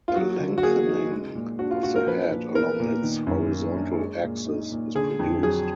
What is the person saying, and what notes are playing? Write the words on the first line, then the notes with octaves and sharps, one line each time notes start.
A lengthening of the head along its horizontal axis is produced.
F4
F#3 F#4
D3
F#4
A#3 G#4
D#4
G#3
A#2
D4 F#4
F4
A#2 F#4
A#4
F3 B4
A#2
B3 A#4
A#2
D#3
F#2
A#3
D4
G#3
A#2
D#4
A#2
D3 G#4
F2
F#3 G#4